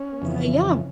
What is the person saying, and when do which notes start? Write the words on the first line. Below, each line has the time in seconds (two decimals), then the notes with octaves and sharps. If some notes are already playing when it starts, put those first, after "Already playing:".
Uh, yeah.
Already playing: C#4
0.22 F2 C#3 E3